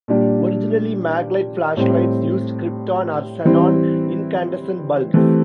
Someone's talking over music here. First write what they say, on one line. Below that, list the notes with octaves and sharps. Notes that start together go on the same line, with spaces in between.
Originally Maglite flashlights used krypton or xenon incandescent bulbs.
A#2 G3 D4 G4
A2 G3 C4
E3 G3 C4 E4
E3 A3 C4 G4